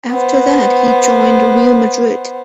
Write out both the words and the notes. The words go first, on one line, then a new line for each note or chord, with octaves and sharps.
After that, he joined Real Madrid.
B3 C5